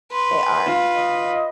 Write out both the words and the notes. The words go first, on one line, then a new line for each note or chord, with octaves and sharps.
they are.
B4 C6
F4
D#5